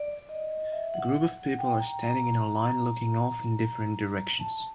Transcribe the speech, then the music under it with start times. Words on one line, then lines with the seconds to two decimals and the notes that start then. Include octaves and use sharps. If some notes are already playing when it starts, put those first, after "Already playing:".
A group of people are standing in a line looking off in different directions.
Already playing: D5
0.29 D#5
0.72 E5
0.94 F#5
1.16 F#5
1.37 F#5
1.59 G5
1.80 A#5
2.02 A#5
2.23 A#5
4.40 A5